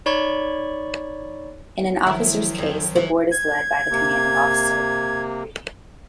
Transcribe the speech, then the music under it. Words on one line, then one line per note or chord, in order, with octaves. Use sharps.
In an officer's case, the board is led by the commanding officer.
D#4 C#5 D5 B5 C#6
D#3 F3 F#3 E4
F2
E3
G#6
C3 A#3